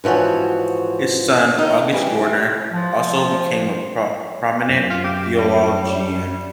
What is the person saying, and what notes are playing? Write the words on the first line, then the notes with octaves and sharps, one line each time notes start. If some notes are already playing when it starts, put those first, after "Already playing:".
His son, August Dorner, also became a prominent theologian.
G#2 E3 F3 F#4 C#5
D#3 D#4
E3 G3
F3
F#2
F4
G4
G3
G3